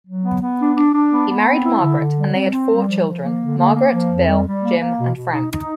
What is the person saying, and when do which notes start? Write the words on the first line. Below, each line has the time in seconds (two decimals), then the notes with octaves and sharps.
He married Margaret and they had four children Margaret, Bill, Jim and Frank.
0.06 F#3
0.24 B3
0.41 B3
0.59 D4
0.76 D4
0.94 D4
1.11 B3
1.29 B3
1.47 C4
1.64 E4
1.81 D3
1.98 D3
2.17 G3
2.34 C4
2.52 C4
2.70 G3
2.87 F3
3.05 F3
3.22 A#3
3.39 D3
3.57 A#3
3.74 A#3
3.92 F3
4.09 F2
4.27 G3
4.45 G3
4.63 A#3
4.80 A#3
4.98 B2
5.15 B2
5.32 D#4
5.50 D#4